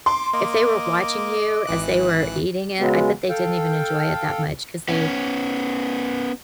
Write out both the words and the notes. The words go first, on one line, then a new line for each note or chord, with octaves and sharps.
if they were watching you as they were eating it, I bet they didn't even enjoy it that much, 'cause they
C6 D6
A#3 D#5 D6
G#1 E3 F#6
C#3 F#3 G#3 B3
A4 F5 G5
B3 C#4